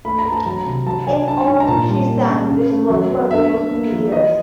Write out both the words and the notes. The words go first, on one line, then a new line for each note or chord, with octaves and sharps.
In all she sang this work for over fifty years.
A3 B5
A#5
A3
A5
F#3 A#5
C3
F#3 A5
F#3 G#5
D4 A5
G#2
A#5
A#2 A5
G3
A#3
C#3
C#3
A3
F#3
B3
D4 E5
D4
A#3
F3
E3 D#5